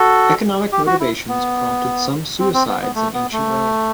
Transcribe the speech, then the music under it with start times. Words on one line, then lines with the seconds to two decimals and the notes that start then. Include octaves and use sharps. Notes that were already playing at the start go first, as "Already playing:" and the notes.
Economic motivations prompted some suicides in ancient Rome.
Already playing: F#4 A4
0.72 G4
0.87 F#4
1.00 E4
1.28 B3
2.39 C4
2.54 C4
2.68 B3
2.82 B3
2.95 A3
3.14 B3
3.33 A3